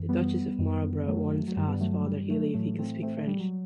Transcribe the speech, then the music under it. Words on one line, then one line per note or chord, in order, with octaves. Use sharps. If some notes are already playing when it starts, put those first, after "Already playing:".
The Duchess of Marlborough once asked Father Healy if he could speak French.
Already playing: F#2 E3
G3 B3
F#2 D#3
F#3 A3
F#3
G2 D#3 G3
G3 B3
F#3 A3
F#3
A3
G3
F#3 A3
A2 E3 F#3 A3
A3 C4
A3 C4
A3
G3
F#3